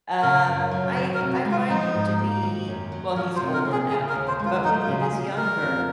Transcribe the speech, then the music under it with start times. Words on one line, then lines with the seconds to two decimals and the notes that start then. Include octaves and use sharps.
um, I I find him to be well, he's older now, but when he was younger,
0.22 C#3 A#4
0.47 F#2
0.72 F#3
0.97 D#3
1.15 A#4
1.21 C3
1.33 F#4
1.45 G#3
1.51 F4
1.69 F3 D#4
1.95 G#2
2.19 A#3
2.43 D#3
2.68 F#2
2.92 F#3
3.16 F3 A#4
3.35 C5
3.41 C3
3.54 A#4
3.65 C4
3.72 G#4
3.90 C#3 G#4
4.09 A#4
4.15 D#2
4.28 C5
4.40 G#3
4.45 F4
4.64 F#3 D#4
4.82 F4
4.88 C#3
5.01 G#4
5.12 A#3
5.37 D#3 A#4
5.62 F2